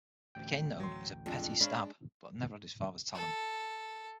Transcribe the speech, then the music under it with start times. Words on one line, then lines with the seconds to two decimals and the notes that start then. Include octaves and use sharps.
He became known as "Petit Stab" but never had his father's talent.
0.35 A1 D2 G5
0.80 F#3 C6
1.26 F2 G#3 D4
1.61 G#3 D4 C#5 F5 B5
3.14 A4